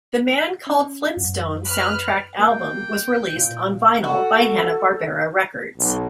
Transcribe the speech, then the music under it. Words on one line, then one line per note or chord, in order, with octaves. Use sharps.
The Man Called Flintstone soundtrack album was released on vinyl by Hanna-Barbera Records.
C#4
F#2
B4 F6 F#6
A#3 G5
A#2
F#4 A4
B1